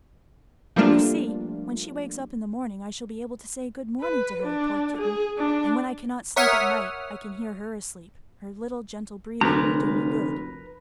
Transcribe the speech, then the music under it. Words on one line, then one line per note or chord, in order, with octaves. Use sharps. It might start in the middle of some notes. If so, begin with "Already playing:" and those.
"You see, when she wakes up in the morning, I shall be able to say good morning to her, poor kitten, and when I cannot sleep at night, I can hear her asleep; her little gentle breathing will do me good."
F3 G3 A3 A#3 D4 F4
B4
D4
G#4
D4
A#4 C#5 E5 F#5 D#6 F6
F1 D2 A#4 B4 A#5